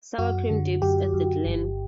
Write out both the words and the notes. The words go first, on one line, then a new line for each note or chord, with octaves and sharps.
Sour Cream Dips at The Glen.
F#2 F#4
D3
F#2 G4
F#2
G1